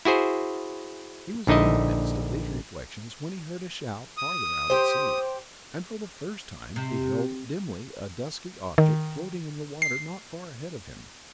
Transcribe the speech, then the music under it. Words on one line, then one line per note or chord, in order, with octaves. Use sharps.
He was in the midst of these reflections when he heard a shout farther out at sea, and for the first time beheld dimly a dusky object floating in the water not far ahead of him.
E4 F#4 G#4 C5
A#1 D3 D#4 E4 D#5
D#6
G4 C5
C3
D#3
C7